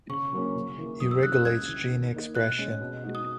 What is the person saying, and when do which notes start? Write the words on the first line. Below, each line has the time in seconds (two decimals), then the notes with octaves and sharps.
It regulates gene expression.
0.09 C#3 C#6
0.33 F#3 A#3 C#4
0.55 C#3
0.78 E3 A#3
1.00 F#2 D#6
1.11 E6
1.23 C#3 F#3 A#3 E4 F#6
1.34 F#6
1.45 C#2 G#6
1.67 C#3 E3
1.91 D#3
2.13 A#3 D#4
2.35 B2 F#6
2.58 G#3 C#4
2.80 B2
3.03 G#3 D#4 F#4
3.15 D#6